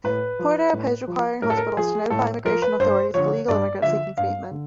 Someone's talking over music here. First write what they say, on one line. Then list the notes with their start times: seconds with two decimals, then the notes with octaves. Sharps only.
Porter opposed requiring hospitals to notify immigration authorities of illegal immigrants seeking treatment.
0.04 A2 B4
0.39 F3
0.73 A2
1.08 F3
1.42 A2 A#4
1.50 A4
1.57 A#4
1.77 F3 G#4
2.10 A2 A4
2.45 F3 A#4
2.62 B4
2.79 G2 C5
3.14 D3 F3 C#5
3.48 G2 D5
3.82 D3 F3 E5
4.17 G2 F5
4.51 D3